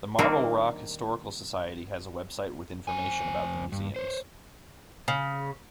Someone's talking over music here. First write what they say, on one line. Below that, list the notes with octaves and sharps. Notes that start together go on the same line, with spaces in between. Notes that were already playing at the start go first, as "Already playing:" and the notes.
The Marble Rock Historical Society has a website with information about the museums.
D#3 G3 A#3 C4 D4
F2 C4 G#5
G2
C5 C#5
C#3